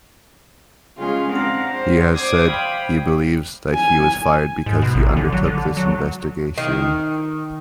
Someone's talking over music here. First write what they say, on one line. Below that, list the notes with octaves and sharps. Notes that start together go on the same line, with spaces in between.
He has said he believes that he was fired because he undertook this investigation.
C#3 G#3 C#4 F4 G#4
C4 D4 F5 F#5 A#5
C5
C5 D5 D6 D#6 G#6
F5 G5 B5
G#5
G#2
B2
A1
D3
F#3
D3
F#3
D#3